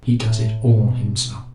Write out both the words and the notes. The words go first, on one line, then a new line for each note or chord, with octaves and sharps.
He does it all himself.
A2
B2